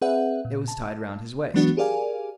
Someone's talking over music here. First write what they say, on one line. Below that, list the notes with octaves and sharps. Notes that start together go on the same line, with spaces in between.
It was tied round his waist.
C4 G#4 B4 D5 E5 F#5
A#2
A5
E3 F#3 G#3 B3 D4 F#4
G4 G#4 A#4 D5 F5 G#5